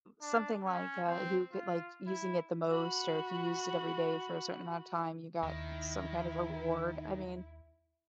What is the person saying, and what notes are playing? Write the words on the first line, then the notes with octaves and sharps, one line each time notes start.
something, like, uh, who could like, using it the most or if you used it every day for a certain amount of time, you got some kind of reward, I mean,
D4
C#4
C4
F4
E4
F#4 B5
D#2 D#3 E4